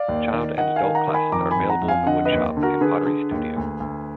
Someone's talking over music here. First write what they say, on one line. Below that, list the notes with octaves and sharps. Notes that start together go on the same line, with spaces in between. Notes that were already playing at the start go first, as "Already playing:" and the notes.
Child and adult classes are available in the wood shop and pottery studio.
Already playing: D5 F5
D#2
D#3
D#3 D#5 F#5
F5 G#5
D#3
F#5 A#5
D#3
G#5 B5
F2 A#5 D6
G#5 B5
F2
F#5 A#5
F2
F5 G#5
D3 D#5 F#5
B4 D#5
D#2
D3
F#4 A#4
D3 G#4 B4
D3
D#2
D2
D2